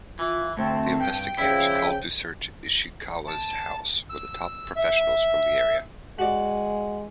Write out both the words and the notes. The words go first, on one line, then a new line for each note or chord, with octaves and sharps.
The investigators called to search Ishikawa's house were the top professionals from the area.
E3 F4
D2 A3 C4 A5
G2 G5
C#3 F3 E4 D5
A5
E6
E5
G#3 F#4 D5